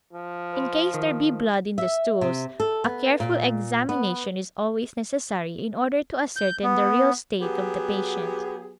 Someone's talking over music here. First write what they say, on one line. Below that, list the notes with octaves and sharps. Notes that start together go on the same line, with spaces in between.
In case there be blood in the stools, a careful examination is always necessary in order to ascertain the real state of the patient.
F3
C5 B5 C6
D#3
E5
C3
A4
B3
A#2
B3
G6
B3
F#3 B3 G4 G#4